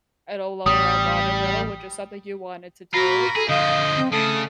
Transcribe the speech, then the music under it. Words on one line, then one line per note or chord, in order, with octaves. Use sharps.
it'll lower our water bill, which is something you wanted to do,
A1 G3 D#6
F4 F#4 A#4 A#5 B5
G#4 A4
D3 F3 D#5 F5 G6
C4
C#3 A3 A4 D#6